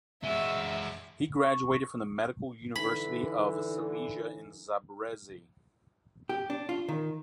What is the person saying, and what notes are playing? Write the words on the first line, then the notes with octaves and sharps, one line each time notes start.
He graduated from the Medical University of Silesia in Zabrze.
G#3 F#4 E5
C#6
D3 E3 D#4 B5
G4
D4
F4
D#3